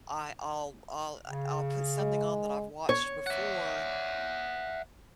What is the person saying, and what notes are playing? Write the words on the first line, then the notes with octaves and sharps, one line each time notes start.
I I'll I'll, uh, I'll put something on that I've watched before, i
C#3
G#3
C#5
E5 F#5